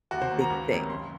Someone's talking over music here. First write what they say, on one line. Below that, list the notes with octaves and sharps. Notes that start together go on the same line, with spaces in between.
a big thing,
D#2 F#4
C5
D#3 A#3
A#5
C#2
C3 D#3 A#3 C#4
F#1 C6